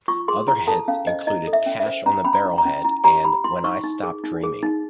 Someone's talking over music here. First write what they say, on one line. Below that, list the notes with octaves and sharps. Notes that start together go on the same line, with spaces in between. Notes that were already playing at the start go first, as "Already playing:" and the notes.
Other hits included "Cash on the Barrelhead" and "When I Stop Dreaming".
F4 C#6
G#4 C6
E4 A#5
A4 A5
C#4 F5
C5 D#5
E4 D#5
A4
E5
C#4
E5
C5
C#4 A#5
C#4 B5
A#5
E4
A#5
C#4
E4 A#5
G4 A#5
G4 B5
E4 C6
D#4 C#6
D#4
G#4
D#4
G#4
D#4